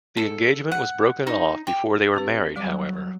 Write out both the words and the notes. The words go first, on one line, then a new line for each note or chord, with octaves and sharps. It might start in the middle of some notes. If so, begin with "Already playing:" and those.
The engagement was broken off before they married however.
A4
F#5
D#4
G4
C4 G4 B4
F#3 G3 D5 D6